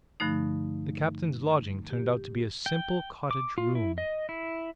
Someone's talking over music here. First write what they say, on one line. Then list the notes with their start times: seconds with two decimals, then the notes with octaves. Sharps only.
The captain's lodging turned out to be a simple cottage room.
0.20 G2 D3 F3 A3 D#4
1.90 G4
2.66 G5
3.31 D6
3.58 F4
3.75 E4
3.98 D#5
4.29 E4